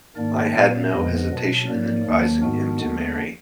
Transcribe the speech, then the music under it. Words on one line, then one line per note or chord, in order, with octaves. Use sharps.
I had no hesitation in advising him to marry.
G#2 D#3 A#3 D4 A#4 D5
A#2 F#3 B3 D5 F5
F2 D3 F3 G#3 B3 B4 D#5
B2 F#3 D4
G#2 F#3 A#3 A#4 D5
D#2 D#3 F#3 A#3 D4
G#2 D#3 G#3 B3 D4 F#4 A#4
D#2 D3 G#3 B3 D4